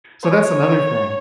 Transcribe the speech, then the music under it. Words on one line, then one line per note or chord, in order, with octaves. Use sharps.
so that's another thing.
C#5